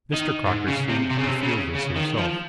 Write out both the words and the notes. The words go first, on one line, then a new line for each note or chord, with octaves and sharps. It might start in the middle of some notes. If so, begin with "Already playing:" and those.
Mr. Crocker seemed to feel this himself.
D#3
G#2
C#3
C3
C3
C#3
C3
C#3
C#3
D#3
F3